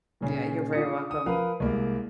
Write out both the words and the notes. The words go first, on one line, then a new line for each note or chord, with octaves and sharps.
Yeah, you're very welcome.
A#2 C#3
D4 F4 D#6 C#7
D#6
F3 A#4 B4 F5 D#6
C2 G#3 A#3